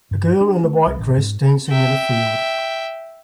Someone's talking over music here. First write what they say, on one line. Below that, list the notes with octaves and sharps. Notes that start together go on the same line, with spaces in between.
A girl in a white dress dancing in a field.
G2
D4
A3
C2
A1
G#2
E5 G5